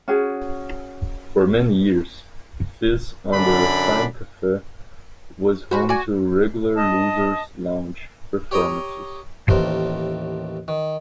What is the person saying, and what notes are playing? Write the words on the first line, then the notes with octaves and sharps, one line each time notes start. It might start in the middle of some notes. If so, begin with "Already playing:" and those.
For many years Fez under Time Cafe was home to regular Loser's Lounge performances.
C#4 F#4 G#4
F#2 D3 D4 B5
C#4 F#4 B4 C5
F#4 D5 G#5
D#5 A5 D#6
G4 C#5 G5 A#5 D#6
A1 D#2 A2 A#4 C5
D#3